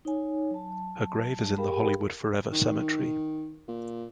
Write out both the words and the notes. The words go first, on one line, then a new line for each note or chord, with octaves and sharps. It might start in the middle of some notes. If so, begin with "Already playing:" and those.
Her grave is in the Hollywood Forever Cemetery.
D#4 C#5 G#5
F#3 A5
G4 G#4 A#4 F5 G5 B5
D#3
A#2